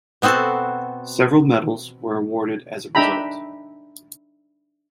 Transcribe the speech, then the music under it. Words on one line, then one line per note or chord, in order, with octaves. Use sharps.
Several medals were awarded as a result.
B2 B3 C4 F#4 A4
D4 D#4 E5 G5 A#5 B5